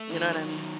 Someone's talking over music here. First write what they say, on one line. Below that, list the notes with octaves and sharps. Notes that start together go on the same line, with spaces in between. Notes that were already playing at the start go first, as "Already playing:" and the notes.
You know what I me
Already playing: A3
D#3
F#3
D#3